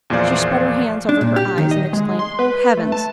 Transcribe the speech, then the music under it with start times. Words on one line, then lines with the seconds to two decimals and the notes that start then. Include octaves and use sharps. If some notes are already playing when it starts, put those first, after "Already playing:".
She spread her hands over her eyes, and exclaimed, "Oh, Heavens!"
0.10 E2 A#2 F3 C5 D5 F5
1.09 D4
1.21 A#2
1.36 G4
1.58 D#3
1.71 D#5
1.93 G#3
2.19 C6
2.39 B4
2.77 A3
2.92 A5